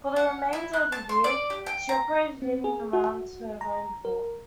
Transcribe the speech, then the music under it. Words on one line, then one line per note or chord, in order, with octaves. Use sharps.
For the remainder of the year, she operated in and around her home port.
F#5
E4
F#6
A5
C6
D5
G4
G5
A#5
C4
G#4
F#4
A#5
A#4